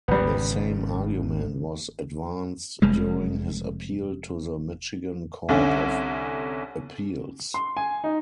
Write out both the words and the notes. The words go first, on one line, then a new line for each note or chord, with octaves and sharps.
The same argument was advanced during his appeal to the Michigan Court of Appeals.
G#1 C#3 G3 B3
F1 G3 G#3
C2 D3 C#4
C6
G#5
D#4